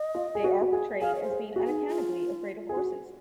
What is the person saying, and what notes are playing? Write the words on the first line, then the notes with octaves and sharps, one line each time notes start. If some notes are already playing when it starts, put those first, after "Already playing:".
They are portrayed as being unaccountably afraid of horses.
Already playing: D#5
F4
G#4
F#4
F#4
G#4
G#4 F5
C#5
C5
G#4
F#4
G#4
D#4
F4
G#4
F#4